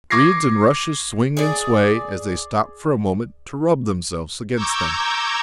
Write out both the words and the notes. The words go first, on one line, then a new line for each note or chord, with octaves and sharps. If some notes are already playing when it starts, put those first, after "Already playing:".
Reeds and rushes swing and sway as they stop for a moment to rub themselves against them.
C#6 D6 G#6 A#6 C7
G#4 D5
A#5 C#6 D6 E6 G6 G#6